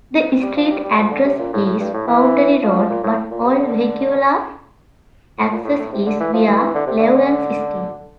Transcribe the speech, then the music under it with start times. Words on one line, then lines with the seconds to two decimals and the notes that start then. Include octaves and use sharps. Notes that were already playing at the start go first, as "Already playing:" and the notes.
The street address is Boundary Road, but all vehicular access is via Laurence Street.
0.43 G3
0.57 F3
0.70 G3
0.84 G3
0.98 F3
1.11 D3
1.25 C3
1.39 A#2
1.53 A2
1.66 A2
1.80 G2
1.94 A2
2.08 E3
2.63 F3
2.76 F3
2.90 A#2
3.04 A2
3.31 A#2
3.45 C3
3.59 D3
5.38 A2
5.51 A#2
5.65 A2
5.79 A2
5.93 C3
6.06 D3
6.20 E3
6.34 F3
6.48 E3
6.75 D3
6.87 C3
6.99 D3